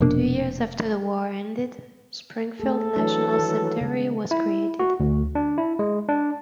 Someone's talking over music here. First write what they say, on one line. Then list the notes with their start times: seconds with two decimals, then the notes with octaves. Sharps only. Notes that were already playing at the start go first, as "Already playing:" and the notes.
Two years after the war ended, Springfield National Cemetery was created.
0.01 F1 B2 A#3 D4
2.60 A3 G#4 A4
2.96 E3 F#3 D4
3.39 D#3
3.81 C#3 G#3
4.31 E4
4.79 F#4
5.00 D2
5.35 D4
5.58 E4
5.79 G#3
6.09 D4